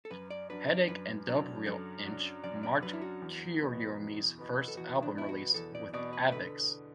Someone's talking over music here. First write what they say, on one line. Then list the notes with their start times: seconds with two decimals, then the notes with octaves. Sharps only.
"Headache and Dub Reel Inch" marked Kuroyume's first album release with Avex.
0.05 A4
0.11 F#2 B4
0.30 D5
0.50 F#3 D4 B4
0.69 D5
0.88 F#2 B4
1.27 F#3 D4
1.66 F#2 A4
2.05 F#3 D4
2.44 F#2 D5
2.63 D5
2.83 F#3 D4 B4
2.93 E4
3.02 F#4
3.22 E2
3.61 B2 B3
3.99 E2
4.38 B2 B3
4.68 A4
4.77 E2 F#4
5.03 D4
5.16 B2 B3 E4
5.29 F#4
5.54 E2 A4
5.75 D5
5.94 B2 B3 D5
6.13 B4
6.32 D3 B4